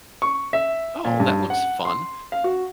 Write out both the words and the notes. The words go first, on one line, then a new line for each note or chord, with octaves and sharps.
"Oh, that looks fun."
C#6
E5
A#2
G2
F#5
C6
F5
F#4